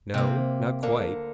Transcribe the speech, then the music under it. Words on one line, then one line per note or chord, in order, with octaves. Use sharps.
"No; not quite."
C3 A#3 C4
D2 D3 A#3 D4